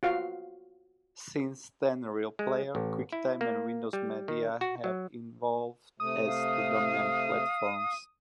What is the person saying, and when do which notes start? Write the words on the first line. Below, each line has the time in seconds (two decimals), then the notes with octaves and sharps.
Since then RealPlayer, QuickTime and Windows Media have evolved as the dominant platforms.
0.03 F4 F#4 F5
2.39 G#3
2.75 A1
3.13 E4
3.41 A#3
3.93 G3
4.28 D#3
4.61 F#4
4.84 F#3
6.00 C3 A3 D#6
6.26 F5